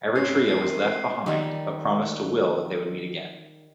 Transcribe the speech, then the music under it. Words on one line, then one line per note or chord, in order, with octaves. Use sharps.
Eretria was left behind but promised to Wil that they would meet again.
G#2 C4 C#4 B4 C7
D#3 E3 C7
D#3 G3